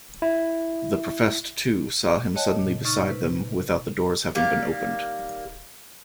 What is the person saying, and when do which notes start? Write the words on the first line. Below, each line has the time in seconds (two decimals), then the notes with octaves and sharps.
The professed, too, saw him suddenly beside them without the doors having been opened.
0.22 E4
2.36 C#5 D#5 G5 A5 F#6
2.59 A#2 C#3
2.85 D#4 C#6 F6 A6
3.08 C3 B4
4.35 D#3 G3 A#3